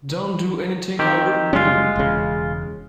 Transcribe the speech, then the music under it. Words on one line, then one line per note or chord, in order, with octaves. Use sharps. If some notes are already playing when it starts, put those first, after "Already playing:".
Don't do anything I wouldn't do.
D#3 C4 G4
F#1 G3 G#3 C#4 F4
E1 C#3